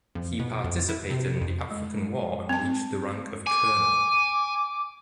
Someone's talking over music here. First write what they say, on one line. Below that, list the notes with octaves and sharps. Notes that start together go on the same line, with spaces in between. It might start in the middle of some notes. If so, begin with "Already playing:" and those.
He participated in the African War and reached the rank of Colonel.
F2
B2
F2
E4
C3
F2
G#3
C4 A5
G#5 D6